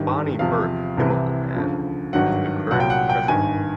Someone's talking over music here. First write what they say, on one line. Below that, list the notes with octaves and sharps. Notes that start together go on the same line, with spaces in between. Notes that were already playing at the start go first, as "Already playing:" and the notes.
Bonnie Burke Himmelman is the current president.
Already playing: G#1 G2 D#3 G3
E2 C3 F3 F5
C2 C3 E3
D2 C#3 F3
G#1 G2 D#3 F#3 F#5
C2 A#2 F#3 F#5
G5
F#5
G5
G#1 G2 D#3 G#5